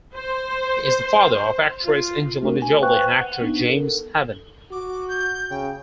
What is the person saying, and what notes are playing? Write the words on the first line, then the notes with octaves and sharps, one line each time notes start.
He is the father of actress Angelina Jolie and actor James Haven.
C5
F4
A3 D4 F#4 A#4
G#5
B4 C5 F5 G5 C#6 F#6
F#5
B3 D4 D#4
A4 A#4
F#4 D6
G6
C#3 G5